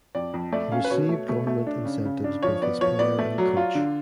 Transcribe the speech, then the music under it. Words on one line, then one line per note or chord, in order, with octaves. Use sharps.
He received government incentives both as player and coach.
F2 D5
F2
A3 D5
C#4 F5
B4
B2 C#5
A3
A3
A3
D4
C#3
C#3
D4
F3 C#5
B3 D5
F3 C#5
B3 D5
A3
F#3
F4
D3